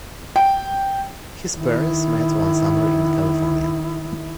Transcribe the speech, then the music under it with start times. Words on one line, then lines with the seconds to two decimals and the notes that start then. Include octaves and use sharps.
His parents met one summer in California.
0.36 G5
1.56 D#3 E4